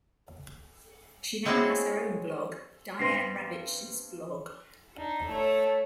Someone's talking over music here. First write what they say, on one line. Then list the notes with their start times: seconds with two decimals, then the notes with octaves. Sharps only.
She now has her own blog, Diane Ravitch's Blog.
1.45 G#3 C4 C#4 E4 F#4 G#4
2.99 G2 B3 C4 C6 A#6 C7
4.97 D4 D#4
5.29 A3 C#5